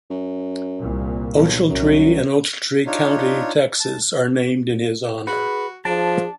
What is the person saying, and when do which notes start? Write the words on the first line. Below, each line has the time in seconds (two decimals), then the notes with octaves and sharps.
Ochiltree and Ochiltree County, Texas are named in his honor.
0.10 F#2
0.80 C2 A#2
1.35 B1
1.70 C2 F#2
2.87 D4 D#4 F4 C#5
3.80 A5
5.27 F#4 G#4 B4
5.85 F3 D4 G#4 A5